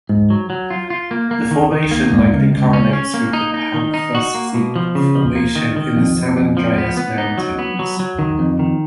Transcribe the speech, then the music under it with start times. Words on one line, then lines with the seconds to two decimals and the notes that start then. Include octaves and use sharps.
The formation likely correlates with the Panther Seep Formation in the San Andres Mountains.
0.09 G#2
0.30 F#3
0.50 F#3
0.70 F4
0.90 F4
1.11 A#3
1.31 A#3
1.51 D#3
1.72 D#3
1.91 A#3
2.12 G#2
2.32 C#2
2.53 C#2
2.73 C#4
2.93 C#4
3.14 A#3
3.33 D#4
3.54 D#4
3.74 D#3
3.94 D#4
4.15 F#4
4.35 A#3
4.54 B2
4.76 F3
4.95 C#3
5.15 F3
5.35 A#3
5.55 D#3
5.76 D#3
5.96 F2
6.16 F2
6.37 F2
6.57 F3
6.78 B3
6.97 B3
7.18 D#4
7.38 F#3
7.59 B3
7.79 F#3
7.99 F#3
8.19 D#3
8.39 F2
8.59 D#3